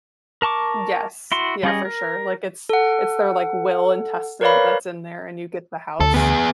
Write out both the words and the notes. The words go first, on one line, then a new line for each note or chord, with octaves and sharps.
Yes. Yeah, for sure, like, it's it's their, like, will and testament that's in there, and you get the house.
A#4 A5 C#6 D6
E4 F#4 C6
G3 C#4 G#4 D#5
A#4
A4 F#5
A#4 B4 C#5 D5 F5 B5
D2 A4
B3 G#4